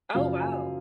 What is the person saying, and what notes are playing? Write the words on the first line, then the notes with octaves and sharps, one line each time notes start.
Oh, wow.
F#2 C#3 F3 F5
G#5